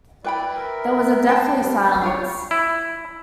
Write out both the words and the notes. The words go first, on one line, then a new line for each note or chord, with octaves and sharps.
There was a deathly silence.
E4 B4 D5 G5 B5
A#4 E5
C5 G5 A5
G2 G3
D4 F4 C#5
E4